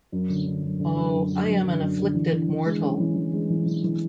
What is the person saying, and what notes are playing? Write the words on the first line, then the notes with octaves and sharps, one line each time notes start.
Oh, I am an afflicted mortal.
F#2
D3
D3
F#2
D3
F#2
F#2
F#2
F#2
D3
F#2
D3
E3
E3
E3
G#3
C#4
E3
E3
G#3
E3
E3
E3